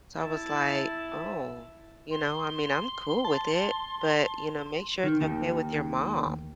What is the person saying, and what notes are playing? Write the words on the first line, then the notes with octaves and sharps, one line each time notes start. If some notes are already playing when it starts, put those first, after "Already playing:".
So I was like, "Oh, you know, I mean, I'm cool with it, but, you know, make sure it's okay with your mom."
E4 A5
C6
A5
D#3
D#2